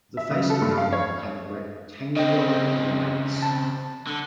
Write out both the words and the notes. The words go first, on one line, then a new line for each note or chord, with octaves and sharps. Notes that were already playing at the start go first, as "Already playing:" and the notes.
The facelift model had rectangular headlights.
E5
C#3
A4
G2
F5
C#5
C#3 C4 D#5 G5
A5
D3